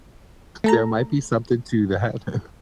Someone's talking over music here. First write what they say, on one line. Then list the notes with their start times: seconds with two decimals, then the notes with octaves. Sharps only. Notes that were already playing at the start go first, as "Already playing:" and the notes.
there might be something to that.
0.64 A3 A4 A#5